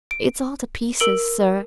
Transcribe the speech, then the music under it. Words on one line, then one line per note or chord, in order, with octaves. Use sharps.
'It's all to pieces, sir.
D7
A#4 E6 D7 F#7 G7